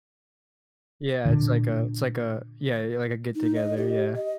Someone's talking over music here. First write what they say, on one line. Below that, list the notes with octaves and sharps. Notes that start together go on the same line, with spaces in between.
Yeah, it's like a it's like a yeah, yeah, like a get together, yeah.
A#2 D3
D#4
D#5
G4
D#5